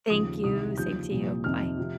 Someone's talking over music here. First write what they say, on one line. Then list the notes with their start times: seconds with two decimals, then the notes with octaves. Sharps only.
Thank you, same to you, bye.
0.10 D#2 C#3 F3 D#6
0.44 C2 C3 D#3 D#6
0.77 D#2 C#3 F3 G6
1.10 C2 A#2 F3
1.44 F2 C3 D#3 F6
1.77 C3 F3